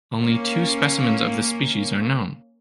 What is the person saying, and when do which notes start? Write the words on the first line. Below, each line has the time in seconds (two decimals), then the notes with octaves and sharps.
Only two specimens of this species are known.
0.22 A#3 C#4